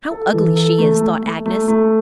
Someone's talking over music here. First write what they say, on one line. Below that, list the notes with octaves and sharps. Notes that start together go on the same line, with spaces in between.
"How ugly she is!" thought Agnes.
A4
E3
A4
A3
A3
A3
A3
A3